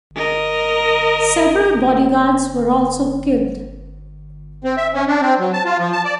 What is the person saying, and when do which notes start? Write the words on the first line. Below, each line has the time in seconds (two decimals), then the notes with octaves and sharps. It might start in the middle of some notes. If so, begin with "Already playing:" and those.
Several bodyguards were also killed.
0.15 A#4 D#5
4.64 C4
4.77 E5
4.94 C#4
5.08 D4
5.21 C4
5.39 F#3
5.53 A5
5.65 F4
5.79 F3
5.93 A5
6.04 D5